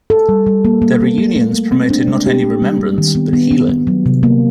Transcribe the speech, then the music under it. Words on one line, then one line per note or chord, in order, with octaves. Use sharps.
The reunions promoted not only remembrance, but healing.
A4
G3
G3
A#3
A#3
A#3
A#3
A3
A3
C4
D4
G#3
G4
A#3
G3
G3
D#3
B3
B3
B3
B3
F#3
C3
A#3